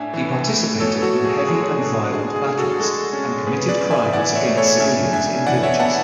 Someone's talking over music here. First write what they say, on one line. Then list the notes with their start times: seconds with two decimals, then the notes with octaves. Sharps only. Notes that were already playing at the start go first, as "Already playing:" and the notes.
He participated in heavy and violent battles and committed crimes against civilians in villages.
Already playing: A2 D4 E5 G#5
0.14 E3
0.47 A3
0.80 B2 A4 C#5
1.02 F#4 A4
1.13 B2
1.24 G#4
1.47 G#3 G#4
1.80 D4
2.13 D3 G#4
2.36 G#4
2.47 D3
2.58 F#4 A4
2.80 G#3 F#4 A4
3.13 C#4
3.47 C#3 G#4 B4
3.69 B4 D5
3.80 C#3
3.91 E5 G#5
4.13 E3 D5 F#5
4.35 C#5 E5
4.47 A3
4.57 A4 C#5
4.80 C#3 E5 G#5
5.13 D4 E5 G#5
5.47 E3 D5 F#5
5.63 C#5 E5
5.79 B3 F#5 A5